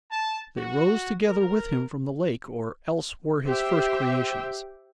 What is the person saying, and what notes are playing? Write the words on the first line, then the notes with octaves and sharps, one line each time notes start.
They rose together with him from the lake, or else were his first creations.
A5
F#4
A#4
G4 C5 E5 G5